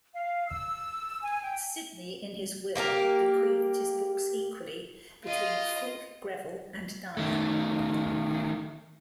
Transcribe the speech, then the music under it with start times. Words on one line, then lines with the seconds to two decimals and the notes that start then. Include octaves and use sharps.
Sidney, in his will, bequeathed his books equally between Fulke Greville and Dyer.
0.14 F5
0.49 E6
1.23 G#5
1.43 G5
2.75 A#3 G4 G#4 A#4
5.24 F4 D#5
7.17 D#3 A3